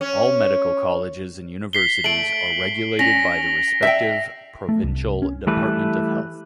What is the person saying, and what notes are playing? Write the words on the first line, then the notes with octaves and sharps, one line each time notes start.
All medical colleges and universities are regulated by the respective provincial department of health.
C#4
B6 C7 G7
A3 D7 F#7
C#4 A#6 B6 F7
E5 G5
A3
C2
C#4
E3 G3 A3 B4